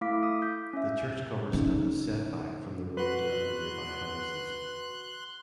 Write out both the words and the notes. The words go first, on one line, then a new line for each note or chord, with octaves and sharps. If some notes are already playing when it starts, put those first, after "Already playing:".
The church covers and is set back from the road and the nearby houses.
A3 E4 F5 D6 B6
D#6
G6 B6
C#4 E5
C#3 D#4
F#4 B4 C6 F#6